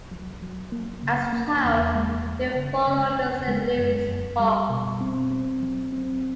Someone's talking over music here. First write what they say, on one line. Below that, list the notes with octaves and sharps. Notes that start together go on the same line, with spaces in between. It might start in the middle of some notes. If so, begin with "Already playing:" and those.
As a child, he followed the Saint Louis Hawks.
Already playing: C2
F#3
F#3
A#3
C#3
A#3
E2
G#3
G#3
C#3
C#3
D#2
G#3
F#2
F#2
G3
B2
C4
C4
F#3
C4